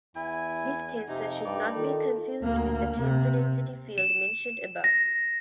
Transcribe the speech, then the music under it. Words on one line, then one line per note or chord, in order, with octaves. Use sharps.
This tensor should not be confused with the tensor density field mentioned above.
E2 E4 G#5
F2 C3 D#4
G2 D5
D#3 F4 A4
D2 A#3
C3
E7
A#6